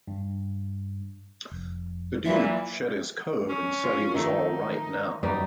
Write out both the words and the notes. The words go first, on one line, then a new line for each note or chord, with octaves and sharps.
The duke shed his coat and said he was all right, now.
G2
F1
A#2 E3 F#3 A#3 E5
C#4
F4
D#3 A3 D#4
F#2 G3 D#4 B4 A#5